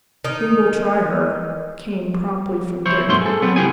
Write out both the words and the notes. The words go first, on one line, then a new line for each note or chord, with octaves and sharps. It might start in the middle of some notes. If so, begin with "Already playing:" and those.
"We will try her," came promptly from Dick.
D#3 D#4
E4 C5 C#5
B1 G2 A3 F#4 C6
G#4 A4
F#3 B3 C4
C#2 F#3 E4 G4 G#4 G#5